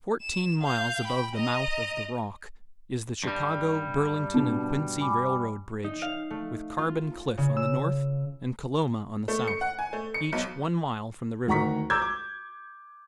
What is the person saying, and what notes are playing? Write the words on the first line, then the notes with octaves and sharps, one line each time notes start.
Fourteen miles above the mouth of the Rock, is the Chicago, Burlington and Quincy railroad bridge, with Carbon Cliff on the north and Coloma on the south, each one mile from the river.
E7
F5 G6
G5 B5
D#5 A#5
G2 G3
B2 D4
G#5 B5 D6
D#4
F5
A3
F4
C#3
E6
A3
C#7
F#5
G#5
A3
C#7
B1
D2 D#3 F#5 A#5 C#6 B6
A#5 D6 E6 G6 G#6
D6